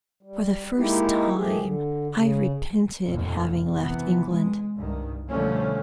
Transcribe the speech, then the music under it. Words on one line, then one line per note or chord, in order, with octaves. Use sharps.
For the first time, I repented having left England.
G3
G#3 A#3 D#4 E4 G4
D#3 F3 A3 G4 G#4
D3
C#3
F1 D#2 A#2
C3 E3 B3
G#3
C2 G2 D#3
B2 D3 F3 G3 A3 C#4